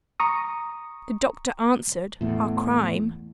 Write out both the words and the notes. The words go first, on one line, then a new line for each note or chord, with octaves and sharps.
The doctor answered, "Our Crime."
A#5 C#6 D#6
E2 A2